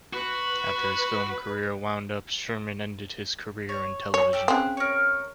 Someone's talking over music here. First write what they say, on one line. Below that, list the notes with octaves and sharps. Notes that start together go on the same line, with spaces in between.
After his film career wound up, Sherman ended his career in television.
F#4 B4
C#5
C#5
A3 G4 A4
C#3 C4 E5 F#6
A#4 C#5